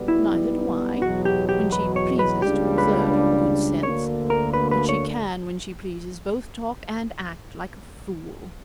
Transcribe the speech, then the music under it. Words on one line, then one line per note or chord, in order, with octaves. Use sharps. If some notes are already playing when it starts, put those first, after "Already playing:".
'Neither do I--when she pleases to exert her good sense--but she can, when she pleases, both talk and act like a fool.'
Already playing: B1 B2 G3 B3
E4
E2 B2 F#3 F#4
G4
G4
B4
C#5
B4
C#2 C#3 G3 A#3 D4 G4
B4
D2 D3 A#3 C#5
A#4
B4
B4
C#5